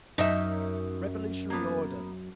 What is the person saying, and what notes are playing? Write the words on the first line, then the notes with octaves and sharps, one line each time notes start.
Revolutionary order.
F#2 D#4 E5
A#3 B3